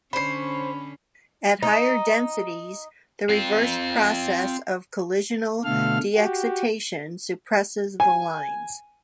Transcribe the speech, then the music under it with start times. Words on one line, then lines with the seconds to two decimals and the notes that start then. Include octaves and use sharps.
At higher densities, the reverse process of collisional de-excitation suppresses the lines.
0.13 D3 C#4 C5 C#5 B5 C7
1.63 D#4
3.29 C4 F4
5.64 B2 D3 A3 A4 F5 F6
6.15 F#4 G4
8.00 G#5